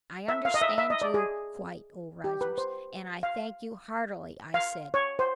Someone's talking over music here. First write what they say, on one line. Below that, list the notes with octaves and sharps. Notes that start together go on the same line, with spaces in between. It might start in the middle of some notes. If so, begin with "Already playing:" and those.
"I understand you quite, Old Rogers, and I thank you heartily," I said.
E5
F5
D#5
E5
E5
D#5
D5
G#4
G4
B4
C5
F5
F5
C#5
C5